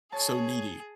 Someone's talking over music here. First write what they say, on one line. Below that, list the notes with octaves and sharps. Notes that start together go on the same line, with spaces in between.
so needy.
G#4 C#5 A5